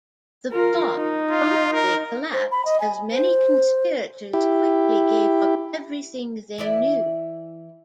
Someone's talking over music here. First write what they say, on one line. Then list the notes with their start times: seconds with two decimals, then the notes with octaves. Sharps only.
The plot promptly collapsed as many conspirators quickly gave up everything they knew.
0.51 F4 A#4
0.96 D#4
1.31 F4
1.72 A#4
2.33 C5
2.51 B5
2.65 D#5
2.80 G#5
3.12 C5
4.33 E4 G4
6.58 E3 E4 D5